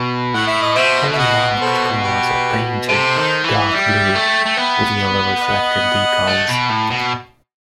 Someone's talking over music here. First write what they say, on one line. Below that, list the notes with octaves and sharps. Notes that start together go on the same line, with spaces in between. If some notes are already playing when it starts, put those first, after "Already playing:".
All marked cars are painted dark blue with yellow reflective decals.
Already playing: B2
A2 F#5
E5
D#5
B2 C5 E5
E5
D#5 F#5
A4 C5
G4 B4
C3 A4 C5
D#3
E3
G3 E5 G5
A3
A3
B3
D#5 F#5
A3
B2
A2
B2